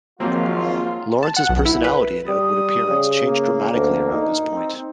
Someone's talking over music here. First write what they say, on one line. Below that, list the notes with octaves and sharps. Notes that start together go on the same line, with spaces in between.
Lawrence's personality and outward appearance changed dramatically around this point.
G#1 F3 F#3 A#3 C4 F4
A5
F#5
B1
E4
B4
G3 D#6
C#3
A#3
D2
D#4
C4